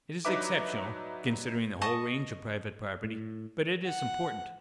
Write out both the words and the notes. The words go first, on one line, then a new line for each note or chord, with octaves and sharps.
It is exceptional, considering the whole range of private property, but it is important.
F#3 D4 D#4 B4 E5 D6
D#5 A5 C#6 D#6
A2
F#5